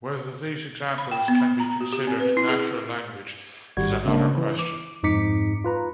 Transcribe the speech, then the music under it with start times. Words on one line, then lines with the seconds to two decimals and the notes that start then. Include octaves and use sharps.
Whether these examples can be considered "natural language" is another question.
0.98 B5
1.11 G5
1.28 B3
1.40 B5
1.60 A#5
1.81 F#4
1.93 G4
2.07 C4
2.20 B4
2.37 E4
2.49 G#4
3.77 G#1 G3 F#4 G#6
4.05 C#3 G#3 A#3 D4
4.37 E3
4.59 D6
5.03 F2 G#2 D#4 D6 B6 C#7
5.64 F4 B4 A#5